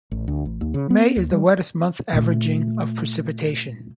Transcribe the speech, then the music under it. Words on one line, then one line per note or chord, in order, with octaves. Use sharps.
May is the wettest month, averaging of precipitation.
A1
D2
A1
D#2
C#3
B3
D#2
G3
A#2 A3